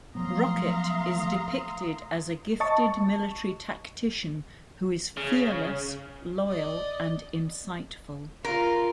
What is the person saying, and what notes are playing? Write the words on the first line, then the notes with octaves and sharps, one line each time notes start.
Rocket is depicted as a gifted military tactician who is fearless, loyal, and insightful.
F3 F#3 A3 B3 F5 A#5 C6 D#6
D#5 A5 C#6
C#3
D5 D#5
F4 A#4